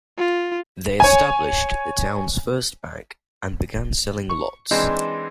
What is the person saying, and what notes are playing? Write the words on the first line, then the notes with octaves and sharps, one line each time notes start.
They established the town's first bank and began selling lots.
F4
C#5 G#5
C#6
E3 G#3 C4 D4 D#4 C5